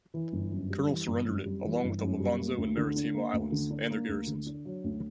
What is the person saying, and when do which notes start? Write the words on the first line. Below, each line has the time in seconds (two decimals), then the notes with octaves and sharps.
Colonel surrendered it along with Levanzo and Marittimo Islands and their garrisons.
0.14 E3
0.32 G1
0.52 F#2
0.70 G3
0.89 E3
1.08 G1
1.26 F#2
1.46 G3
1.65 E3
1.83 G1
2.02 F#2
2.20 G3
2.39 A#3
2.58 D2
2.77 D3
2.96 D4
3.14 A#3
3.33 D2
3.52 D3
3.71 D4
3.90 A#3
4.09 D2
4.27 D3
4.47 D4
4.65 F#3
4.84 D2